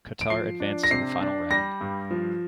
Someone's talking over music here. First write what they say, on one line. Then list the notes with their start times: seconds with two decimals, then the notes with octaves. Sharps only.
Qatar advanced to the Final Round.
0.21 D7
0.30 F3 C7
0.60 D4
0.83 A#6
0.91 C3 C7
1.21 D4
1.50 G3 A#6
1.81 G2
2.11 F3